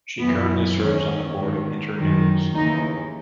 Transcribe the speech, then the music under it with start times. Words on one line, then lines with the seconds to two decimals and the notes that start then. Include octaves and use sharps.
She currently serves on the Board of Internews.
0.20 F#2 E3 B3
0.79 E2 D#3 C#4
1.37 G#2 D#3
1.96 F#2 D#3
2.54 D#2 C#3 E3 D#4